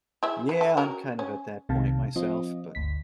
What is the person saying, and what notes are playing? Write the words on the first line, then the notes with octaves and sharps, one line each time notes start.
Yeah, I'm kind of at that point myself, but
E4 G#4 E5
B4
A4
C#4 F#4 A#4
C#4
C2 C3 D#3 F5 A5
F3 C4 F4 D#5
G1 D2 B6